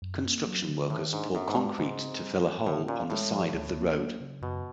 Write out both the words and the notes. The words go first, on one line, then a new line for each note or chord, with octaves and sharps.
Construction workers pour concrete to fill a hole on the side of the road.
F#2
A#3
F#3
D3
A2 D#3
G#2 D4
F#2 B3
G#2
G2 G#3
G#2 C#3
C4
G3
E3
A2 D3
A#2 C#4
A2 G#3
F3
D2
A#3
F#3
C#3
F#2 B2